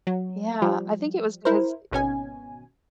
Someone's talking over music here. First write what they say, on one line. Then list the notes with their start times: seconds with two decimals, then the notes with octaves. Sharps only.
Yeah, I think it was because, eh
0.07 F#3
0.62 F3 G3
1.45 E4 A#4 C5
1.91 G#1 B2 C#4 G#5